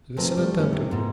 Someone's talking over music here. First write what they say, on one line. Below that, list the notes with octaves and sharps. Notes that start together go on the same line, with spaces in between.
"Listen attentively."
C3 F3 A3 C4 A#4 B4
G3 A3
G3 C#4
C3
G#2 A#3 B3